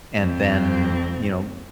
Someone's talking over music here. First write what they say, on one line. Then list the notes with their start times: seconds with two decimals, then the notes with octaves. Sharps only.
and then, you know,
0.20 F2 C4